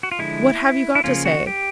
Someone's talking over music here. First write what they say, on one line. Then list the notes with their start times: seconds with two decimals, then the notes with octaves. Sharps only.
What have you got to say?
0.03 F#4
0.12 F4
0.19 D3 F3 G#3 E4
0.95 E4
1.04 C#3 F3 A#3 C#4 F4
1.25 F#4
1.47 G4